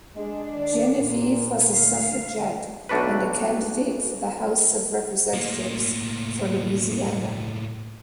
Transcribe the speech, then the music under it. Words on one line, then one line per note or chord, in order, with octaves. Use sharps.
Genevieve was a suffragette and a candidate for the House of Representatives for Louisiana.
G#3 D4
D#3 D5
A#2
D2 F5
B1 A3 D4 F#4 B4
A2 A#3